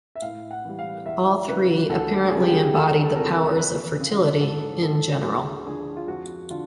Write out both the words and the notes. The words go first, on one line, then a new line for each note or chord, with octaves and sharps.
All three apparently embodied the powers of fertility in general.
E5
A2 F5
F#5
E3 G3
F5
E2 E5
C#3 F#3 B4
D2 A4
C#3 E3 G3 G#4
G4
G#4
E2 A4
A4
C3 F3 A#4
F2 B4
C#3 E3
G#2 A4
F3 A4
D2 G#4
D3 F3 G#4
F4
F2 F#4
D3 F4